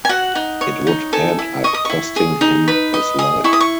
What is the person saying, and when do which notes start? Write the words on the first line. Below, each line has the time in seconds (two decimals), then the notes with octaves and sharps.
It would end up costing him his life.
0.05 G#5
0.09 F#4 F#5
0.35 D#4
0.61 C#5
0.87 D#4
1.13 A4 G#5
1.39 E4
1.64 D#5 C#6
1.74 D#6
1.85 E4 C#6
2.16 G#4
2.41 D#4
2.68 B4
2.94 D#5
3.19 G#4 D#6
3.44 E4 C#6
3.53 D#6
3.60 C#6